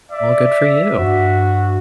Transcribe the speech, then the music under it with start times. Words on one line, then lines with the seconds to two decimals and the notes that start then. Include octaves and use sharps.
Well, good for you.
0.12 D5 E5
0.98 G2 F#4